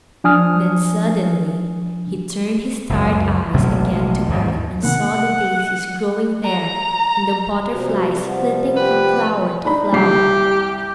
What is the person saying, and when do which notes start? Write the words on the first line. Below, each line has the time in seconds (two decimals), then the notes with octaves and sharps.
Then suddenly he turned his tired eyes again to earth, and saw the daisies growing there, and the butterflies flitting from flower to flower.
0.24 F3 D4 G#5 D#6 F6
2.89 F#1 C#2 F#2
3.54 A1 B2 F#3 G#3
4.29 D#2 G#2 B2 D#3
4.83 C3 D#3 A#3 F#5
6.45 A#5
7.72 C3 F3 G3 F#4 B4
8.22 C5 F#5
8.76 G4 B4
9.65 D4 D#4 B5
9.93 C2 G4 C7